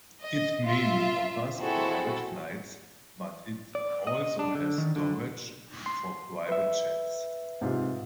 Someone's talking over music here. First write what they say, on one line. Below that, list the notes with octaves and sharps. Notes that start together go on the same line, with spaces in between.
It mainly offers private flights, but it also has storage for private jets.
D#5
F4 E5
C4 E4 F#4 G#4 A4
D5
D#5
D4
D3
D#3
D3
C6
B4 E5
G#2 C3 F4